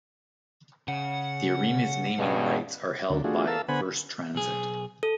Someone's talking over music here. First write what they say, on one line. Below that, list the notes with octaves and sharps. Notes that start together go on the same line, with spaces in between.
The arena's naming rights are held by First Transit.
C#3 F#5
G2 B2 G#3 C#4
D2 D3
A3 D4 F4 F#4 G#4
A4 A#4 F5 A5 E6
D3 B3 C5 F#5 G#5 B5
B1 G#4
A4